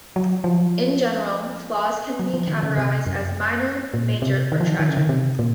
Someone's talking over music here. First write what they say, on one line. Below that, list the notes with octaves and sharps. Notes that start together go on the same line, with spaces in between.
In general, flaws can be categorized as "minor", "major", or "tragic".
F#3
F3
F#3
F3
D#3
C#3
C3
F#2
A#2
C3
D#3
F3
D#3
D#3
C#3
D#3
C3
A#2